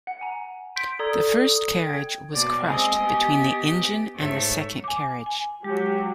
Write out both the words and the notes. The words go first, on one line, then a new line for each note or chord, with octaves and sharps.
The first carriage was crushed between the engine and the second carriage.
F#5
G#5 A#5
C6 G6 B6 D7
A4 D5 A#5 D#6 G#6
D#6
G5 G#6
B2 A#3 D5
G#3 C4 D#5 G#5
B3 G4
G#2 A3 C#5 E5
G#5 D6
G#5
F#3 G#3 G4